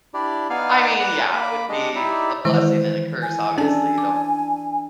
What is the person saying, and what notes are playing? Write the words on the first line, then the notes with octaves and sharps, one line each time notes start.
I mean, yeah, it would be a blessing and a curse, obviously, you don't
D4 E4 G4 D5
B3 D#4 D5 F5 G#5 F6
B4 D5 A#5 D6
A#3 B5 D6
G#3 D4 G4 D#5
D#4 E4 G4 D5 E5
D#3 E3 G#3 C5
G#5
C#4 D4 A4 G#5 A5
D6